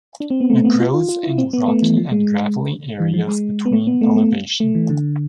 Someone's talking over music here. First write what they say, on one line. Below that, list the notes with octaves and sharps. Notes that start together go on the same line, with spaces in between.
It grows in rocky and gravelly areas between elevation.
D4
C4
B3
A3
B3
F4
F4
F4
E4
C4
B3
A3
E3
F3
G#3
E3
F3
G#3
B3
A3
B3
A3
A3
A3
E3
D3